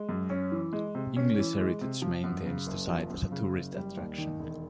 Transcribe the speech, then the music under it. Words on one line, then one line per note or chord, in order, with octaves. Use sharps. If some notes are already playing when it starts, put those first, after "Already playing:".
English Heritage maintains the site as a tourist attraction.
Already playing: G#3
F#2
C#4
E3
G#3
C3
C#4
E3
G#3
C3
F3
F#2
C#3
F#1
F3
F#2
C#3
F#1
G3
D#2
D#3
E1